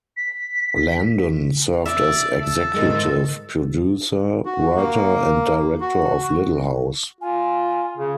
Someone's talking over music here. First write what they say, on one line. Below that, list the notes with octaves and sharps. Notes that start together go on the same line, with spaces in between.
Landon served as executive producer, writer, and director of Little House.
B6
D5 E5
A4
G#2 D#3 G#3
F#4
A#3
F#4
F4 G#5
C#3